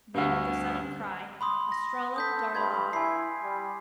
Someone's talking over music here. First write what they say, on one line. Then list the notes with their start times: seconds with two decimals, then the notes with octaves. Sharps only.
Then with a sudden cry Estralla darted off.
0.14 D2 G2
1.41 B5 C6 D#6
1.72 A#6
2.16 A4 D#6 G6 B6
2.55 G2 B5 C6 G#6
2.93 E4 G#5 C7
3.43 G3